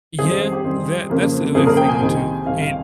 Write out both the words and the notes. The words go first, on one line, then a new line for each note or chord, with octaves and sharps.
Yeah, that that's the other thing too, it
F2 D#3 G3 C4 G#4
C5
G#4
G4
F2 D#3 G3 C4
F2 C#3 F3 A#3
F2 C#3 F3 A#3 G#4
A#4
G5
G#5
C2 C3 D#3
C2 C3 D#3 F5
F5